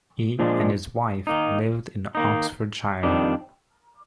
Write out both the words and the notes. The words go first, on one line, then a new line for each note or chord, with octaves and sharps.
He and his wife live in Oxfordshire.
A#2 F3 G#3 D4
D#3 A#3 D#4
D#3 A#3 D#4
F2 D#3 G3 D4